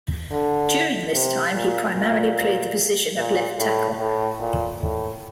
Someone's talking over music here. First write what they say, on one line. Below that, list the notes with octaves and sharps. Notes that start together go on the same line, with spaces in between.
During this time, he primarily played the position of left tackle.
D3
C3
A#2
A#2
A#2
A2
A2
A#2
A2